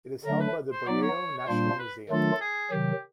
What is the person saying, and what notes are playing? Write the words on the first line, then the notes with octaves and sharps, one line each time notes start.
It is held by the Buyeo National Museum.
D3 F#3 A3 D4 A#4
B4
C5
F#3 B3 D#4 D5
C#5
C#5
A#2 G3 A#3 D4 F4 C5
B4
D#3 F#3 A3 D4 F4 A4
G#4
C3 D#3 F#3 G4